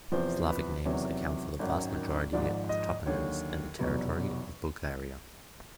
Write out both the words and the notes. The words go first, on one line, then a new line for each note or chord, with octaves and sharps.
Slavic names account for the vast majority of toponyms on the territory of Bulgaria.
E2 C3 F3 C5
B4
E2 C3 D#3 F#3 C#5
G#1 F#2 D#3 F#3
G#1 G#2 F3 D5
D#5
D#2 D3 F#3 C#5
F1 E2 B2 F#3